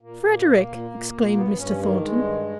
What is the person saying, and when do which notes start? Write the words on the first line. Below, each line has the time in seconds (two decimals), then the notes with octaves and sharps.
'Frederick!' exclaimed Mr. Thornton.
0.01 A#2 A#3
0.23 A#2
0.46 A#2
0.68 A#2
0.91 A#2
1.12 A#2
1.34 G2 B3
1.57 G2 C#4
1.79 D#3 A#3
1.97 A#3
2.01 G2 G#3
2.24 D#3